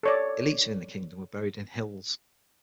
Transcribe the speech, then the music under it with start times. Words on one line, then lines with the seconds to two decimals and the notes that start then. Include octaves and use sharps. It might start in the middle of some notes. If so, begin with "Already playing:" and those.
Elites within the kingdom were buried in hills.
0.03 A4 C#5 D5